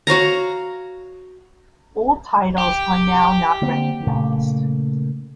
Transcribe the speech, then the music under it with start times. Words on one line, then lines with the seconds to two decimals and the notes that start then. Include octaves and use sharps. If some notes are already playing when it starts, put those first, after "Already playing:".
All titles are now not recognized.
0.07 F#4 C#5 F5 A#5
2.58 G4
3.62 D3 A#3 C4
4.07 A#2 C#3 A3